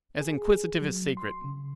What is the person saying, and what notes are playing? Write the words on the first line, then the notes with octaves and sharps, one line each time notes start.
As inquisitive as secret.'
G#4
F#3
C6
C#3